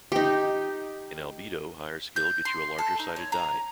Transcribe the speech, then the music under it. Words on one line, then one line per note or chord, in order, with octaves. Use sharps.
In Albedo, higher skill gets you a larger sided die.
D#4 G4
G6
C6
A4
D#4
C#5
A#5